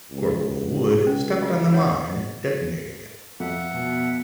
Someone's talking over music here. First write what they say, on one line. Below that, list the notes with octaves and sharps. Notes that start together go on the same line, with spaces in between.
Corporal Wood stepped on the mine detonating it.
C#2
C#4
F4 D#5
C#5 F#5
D#5
F2 E5 F#5
B2